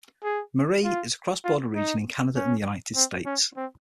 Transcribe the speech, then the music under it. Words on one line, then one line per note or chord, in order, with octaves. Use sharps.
Marie is a cross-border region in Canada and the United States.
G#4
F4
F4
D#4
C#4
C4
C#4
C4